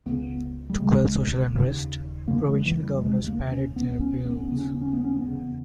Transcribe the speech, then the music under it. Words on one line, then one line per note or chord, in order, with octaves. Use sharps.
To quell social unrest, provincial governors padded their payrolls.
C#2 C#3 B3
G3
C#2 C#3 G#3
D#2 C#3
E2 C#3 A#3
G#3
E3
G3
D#2 C#3 G#3
A#3
C#4
C#2 B2 B3
C#4
B3
C#4
D#2 C#3 B3
C#4
B3
C#4
B3
C#4
B3
E2 C#3